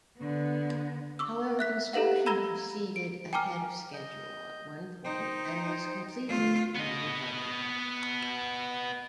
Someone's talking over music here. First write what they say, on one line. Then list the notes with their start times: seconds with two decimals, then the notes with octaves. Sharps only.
However, construction proceeded ahead of schedule at one point and was completed under budget.
0.18 D3 B3
1.19 C#6 D6 E6
1.59 E5 F#6 B6
1.93 G4 A4 B4 F5 F#5
2.26 A#5 B5 E6 G#6 A#6 G7
2.96 D7
3.33 G5 G#5 A#5 D6 F6
3.93 D#5 G6
5.04 D#4 C5 G5
6.27 A3 F4
6.75 B3 D#5